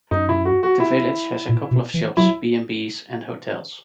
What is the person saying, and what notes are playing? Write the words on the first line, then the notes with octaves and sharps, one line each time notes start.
The village has a couple of shops, B and Bs and hotels.
F#2 D#4
E4
F#4
F#4
E4
A#2
B2
E3
F#3 E4